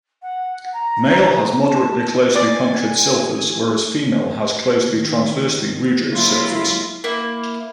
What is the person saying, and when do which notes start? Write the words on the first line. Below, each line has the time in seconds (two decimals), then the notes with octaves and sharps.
Male has moderately closely punctured clypeus whereas female has closely transversely rugose clypeus.
0.22 F#5
0.73 A#5
1.62 A5
2.36 D5 G#5
4.85 D#3
6.10 F#3 G#3 A#3 E4 F4
7.04 A#3 E4